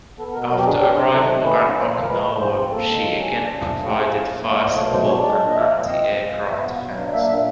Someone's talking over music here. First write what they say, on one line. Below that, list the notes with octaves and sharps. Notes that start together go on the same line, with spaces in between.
After arrival at Okinawa, she again provided fire support and anti-aircraft defense.
B3 A4
B2 A#4
F#3 A#4
G4
D4 G#4
F#3 G4
C3
D#3 A4
A3
C#4 B4
F3
A#3 C5
F3
A#4
G#3 B4
A#2
F3 C5
C4
A#3 A4
D#3
F#3
C#4
D4
F3
A3
F3
G4
C#4 G#4
F3
A#3
F3
C#5
A3 D5
B2 C#5
F#3 C5
D4 C#5
G#3 D5
A#2
D#5
F3 E5
A#2
C4 D#5
F3
G#3
F3
B3 E5
B2 F5
F#3
D4 F5
A#3 E5
A#2 E5